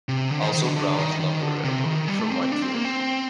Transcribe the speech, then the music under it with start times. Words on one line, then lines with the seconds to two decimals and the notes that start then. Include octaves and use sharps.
Also Brown's lumber railroad, from Whitefield.
0.09 C3
0.31 D3
0.42 D#3
0.54 D#3
0.64 D3
0.76 D3
0.97 D#3
1.20 D#3
1.42 D3
1.64 C3
1.86 D#3
2.08 G3
2.19 A3
2.30 C4
2.41 C4
2.52 D4
2.62 C4
2.74 A#3
2.85 C4